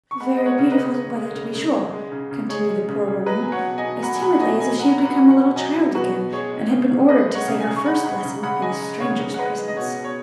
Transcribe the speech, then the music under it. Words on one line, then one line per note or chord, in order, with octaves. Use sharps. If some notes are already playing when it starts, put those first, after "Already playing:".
"Very beautiful weather to be sure," continued the poor woman, as timidly as if she had become a little child again, and had been ordered to say her first lesson in a stranger's presence.
C#6
G#3 F#5 B5
G#3 D#5
C#5 F#5
C#3
B4 D#5
C#3
G#3
G#3
C#3
C#3
G#3
G#3
C#3
C#3
G#3 G#4 C#5
G#3
C#3
C#3
F#3 B4 D#5
F#3 G#5
C#5 F#5
B2
D#5 G#5
B2
F#3 F#5 B5
G#5
F#3 F#5 B5
F#5
B2 D#5 G#5
B2 D#5 G#5
F#3 F#5 B5
F#3
F#5 B5
B2
F#5 B5
B2
F#3 D#5 G#5
F#3
B2 F#4 B4
B2
G#3 G#4 C#5
G#3
C#3
C#3
G#3 B4 D#5
G#3
C#5 F#5
C#3
D#5 G#5
C#3
C#6
G#3 F#5 B5
G#3 F#5 B5
C#3
C#3 F#5 B5
G#3 D#5 G#5
G#3
C#3 C#5 F#5
C#3
F#5
G#3 B4 D#5
G#3
D#5
B2 C#5 F#5
B2
C#5